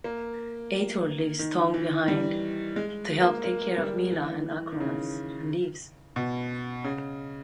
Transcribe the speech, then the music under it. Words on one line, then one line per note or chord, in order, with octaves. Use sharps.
Ator leaves Thong behind to help take care of Mila and Akronas, and leaves.
A#3
D#3
E3
G3
G#3
A#3
A#3
G3
E3
D#3
C#3
B2
C#3